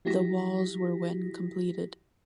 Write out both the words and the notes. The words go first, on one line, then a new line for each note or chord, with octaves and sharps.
The walls were when completed.
F3 E4 F#4 G4 A#6 B6